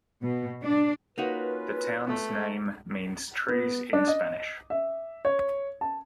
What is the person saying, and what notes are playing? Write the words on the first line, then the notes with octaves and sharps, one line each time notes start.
The town's name means "trees" in Spanish.
B2
D4
A#3 C#4 D#4 F4 F#4 B4
A3
B3
D4
D#5
E5
C#5
A5